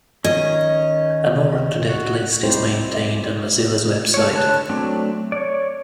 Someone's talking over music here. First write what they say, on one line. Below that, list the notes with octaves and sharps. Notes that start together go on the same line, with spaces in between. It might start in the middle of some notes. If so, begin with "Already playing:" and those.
A more up-to-date list is maintained on Mozilla's web site.
D#3 C#4 D#5
F#4
G3 C4 D#4 E4 G4 C5
A3 C#5
D3 C#5 A5 F#6
F#3 A3 C4 D4
C#5 D5